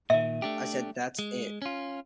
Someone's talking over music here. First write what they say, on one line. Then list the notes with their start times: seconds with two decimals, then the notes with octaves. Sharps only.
I said, 'That's it.
0.10 A#2 D#3 E5
0.42 A3 D4 G4
1.19 G#3
1.62 C#4 F4